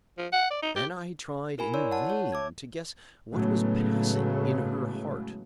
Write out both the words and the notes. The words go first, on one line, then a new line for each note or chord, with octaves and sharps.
Then I tried in vain to guess what was passing in her heart.
F3
F#5
D5
D#4
G4
E4 A#4 G#5 B5
E4 C#5 D5 C6 E6
F#5 A5
C#5 A5
E5 D6 E6 G#6
A2 C#3 F#3 G#3 A3 B3